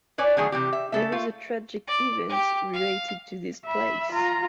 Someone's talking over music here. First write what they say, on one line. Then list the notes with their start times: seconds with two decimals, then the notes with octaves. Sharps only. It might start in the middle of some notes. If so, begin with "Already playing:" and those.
There is a tragic event related to this place.
0.18 B4 C#5 D5 G#5
0.37 D3 D#3 F#3 A3 G#4
0.52 C3 E3 G4
0.73 E5
0.92 C#3 A4 E5
1.12 A3 F4
1.87 D5
2.29 G4
2.73 F5
3.65 E5 B5
4.12 F4 A#5